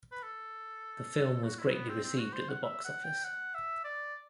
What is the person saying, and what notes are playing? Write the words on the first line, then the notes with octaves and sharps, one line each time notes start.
The film was greatly received at the box office.
B4
A4
F#4
E4
B3
C4
C4
F#4
C5
F#5
E5
F#5
G5
F#5
E5
D5